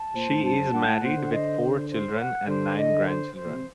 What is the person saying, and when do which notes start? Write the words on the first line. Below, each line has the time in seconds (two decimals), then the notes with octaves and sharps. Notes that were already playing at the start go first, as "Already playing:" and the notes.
She is married with four children and nine grandchildren.
Already playing: A5
0.15 A#2 C5
0.29 A2
0.43 G2 A5
0.58 F#2
0.73 G2 F#5
0.88 A2
1.02 A#2 C5
1.17 D3
1.31 D#5
1.60 C5
1.90 C5
2.19 F#5
2.47 D3 C5
2.77 D#5
3.06 C5
3.35 C5
3.46 A#2
3.55 C3